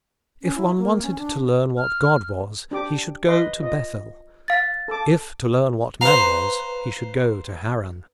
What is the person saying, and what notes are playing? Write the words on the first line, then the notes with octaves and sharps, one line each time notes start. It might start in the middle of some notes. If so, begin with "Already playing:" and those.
If one wanted to learn what God was, he should go to Bethel; if to learn what man was, he should go to Haran.
C#4
E4
A#3
C#4
D4
F6
D4 G4 D6
B4 D#5 C6
F4 D#5
F5 A6
A4 A5 D6
B4 C5 F5 A#5